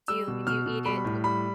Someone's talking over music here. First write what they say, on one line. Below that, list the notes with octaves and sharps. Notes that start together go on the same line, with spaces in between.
Do you do you eat it l
G3 E6
B2
B2 F6
B2
G3 B5
A2
G3 B5